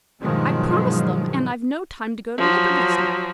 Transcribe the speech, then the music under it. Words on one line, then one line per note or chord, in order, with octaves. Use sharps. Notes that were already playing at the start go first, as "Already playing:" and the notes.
'I promised them, and I've no time to go to Liberty's now.'
G2 B2 D#3 F3 F#3 G#3
F3 F#3